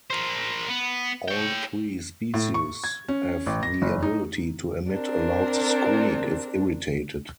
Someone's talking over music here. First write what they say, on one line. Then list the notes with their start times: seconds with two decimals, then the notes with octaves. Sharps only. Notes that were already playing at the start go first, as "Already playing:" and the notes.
All three species have the ability to emit a loud squeak if irritated.
0.10 A#4 C5
0.68 B3
1.28 C#5 G5
2.34 A2
2.54 C#6
2.84 G#6
3.08 C#4
3.46 A1
3.63 A#6
3.82 F#1
4.02 D#4
4.90 C4 D4 A#4